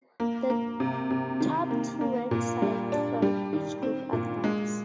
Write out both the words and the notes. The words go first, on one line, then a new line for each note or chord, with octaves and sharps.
The top two ranked sides from each group advance.
A#3
A#3
C3
C3
D#3
A#3
A#3
A#2
G3
D4
G3
D#3
C4
A#2
G#3